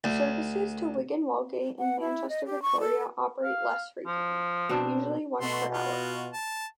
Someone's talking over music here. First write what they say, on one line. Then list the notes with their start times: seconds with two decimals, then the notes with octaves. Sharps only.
Services to Wigan Wallgate and Manchester Victoria operate less frequently, usually once per hour.
0.04 D2
1.79 F#5
2.00 E4
2.29 D#5
2.46 G4
2.62 C#6
2.80 A4
3.44 F5
4.06 F3
4.69 B2 C4 D4
5.41 B2 A3 F#4 C6
5.73 F4 F#4
6.33 A5